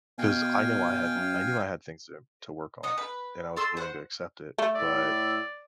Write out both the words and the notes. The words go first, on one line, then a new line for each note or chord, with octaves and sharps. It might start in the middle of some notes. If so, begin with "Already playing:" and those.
'Cause I knew I had I knew I had things to im to work on, and I was willing to accept it. But,
B2 F5 G5 G#5
F#2
D#4 D#5 F#5
B4
A4 C6 E6
C5 F#5
A3
A2 D5 E5